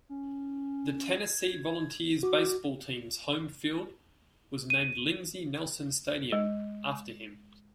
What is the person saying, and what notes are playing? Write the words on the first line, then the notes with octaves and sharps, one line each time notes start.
The Tennessee Volunteers baseball team's home field was named Lindsey Nelson Stadium after him.
C#4
G#6
F#4 D6
D#7
G#3